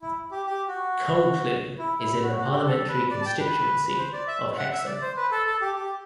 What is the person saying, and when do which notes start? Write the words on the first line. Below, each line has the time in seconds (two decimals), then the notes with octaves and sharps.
Coalcleugh is in the parliamentary constituency of Hexham.
0.02 E4
0.31 G4
0.46 G4
0.68 F#4
1.78 E4
2.00 E4
2.23 F#4
2.37 F#4
2.52 G4
2.66 A4
2.88 B4
3.10 D5
3.21 A5
3.26 G5
3.40 B4
3.88 B4
3.98 C5
4.13 D5
4.28 E5
4.58 F#5
4.72 E5
4.87 D5
5.02 C5
5.16 B4
5.32 A4
5.46 A4
5.61 G4
5.76 G4